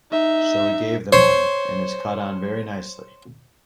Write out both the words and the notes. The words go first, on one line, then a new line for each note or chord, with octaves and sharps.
So we gave them one, and it's caught on very nicely.
D#4 E5
C5 C#5